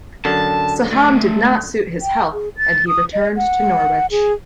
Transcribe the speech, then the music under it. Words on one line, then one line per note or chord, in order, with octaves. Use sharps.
Saham did not suit his health, and he returned to Norwich.
F#2 D3 A5
A3 D#5
G5
G#4
A6
D#6
D#5
F#5
G#4